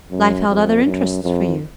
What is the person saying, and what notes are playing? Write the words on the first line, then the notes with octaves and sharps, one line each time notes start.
Life held other interests for you.
F#2
F2
F#2
F2